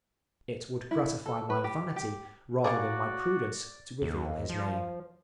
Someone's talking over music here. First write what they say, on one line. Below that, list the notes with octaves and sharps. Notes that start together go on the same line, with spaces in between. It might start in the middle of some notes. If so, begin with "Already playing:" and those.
It would gratify my vanity rather than my prudence to reveal his name.
E4
A4
B4
G4
G4
G3 A#3 F#4 G#4 D5
D#2
F3